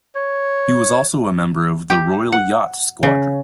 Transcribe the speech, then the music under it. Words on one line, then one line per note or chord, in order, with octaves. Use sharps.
He was also a member of The Royal Yacht Squadron.
C#5
G4
F#5
C#3